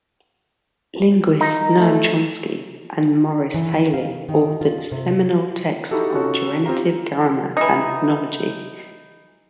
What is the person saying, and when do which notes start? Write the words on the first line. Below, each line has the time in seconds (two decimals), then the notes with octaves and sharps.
Linguists Noam Chomsky and Morris Halle authored seminal texts on generative grammar and phonology.
1.41 D#4
1.79 A3
3.54 E3
3.94 F5
4.29 D#3
4.61 F4
4.92 C3
5.91 D#4 E4 F#4 G4 A4
6.14 C#4 D#4 F4 F#4 A4 C#5
6.66 C4 F4 G4 F5 A#5
7.57 E3 D#4